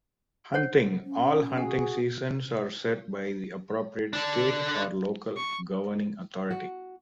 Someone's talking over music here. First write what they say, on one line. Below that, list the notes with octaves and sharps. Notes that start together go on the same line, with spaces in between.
Hunting: All hunting seasons are set by the appropriate state or local governing authority.
C5 C#5 F#5
C#4
F#4 G#4 F#5
D3 D4
C#6
F#4